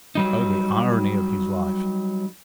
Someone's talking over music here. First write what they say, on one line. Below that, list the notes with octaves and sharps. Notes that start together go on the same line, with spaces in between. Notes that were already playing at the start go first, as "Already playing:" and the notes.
Oh, the irony of his life!
F#3 G3 D#4